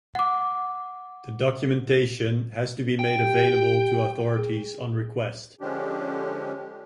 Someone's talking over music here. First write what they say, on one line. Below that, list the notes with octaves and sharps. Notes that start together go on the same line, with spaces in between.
The documentation has to be made available to authorities on request.
F#5 D6
G5
G4
G#4
D3 F3 G#3 C#4 D4 G4